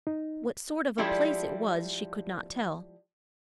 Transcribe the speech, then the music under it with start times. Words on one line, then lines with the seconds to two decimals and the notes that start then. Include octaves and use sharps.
What sort of a place it was she could not tell.
0.07 D#4
0.98 F3 G3 G#3 E4 G4 A4